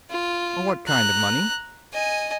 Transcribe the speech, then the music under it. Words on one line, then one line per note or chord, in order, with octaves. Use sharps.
"What kind of money?"
F4
A#5 F#6
D#5 G#5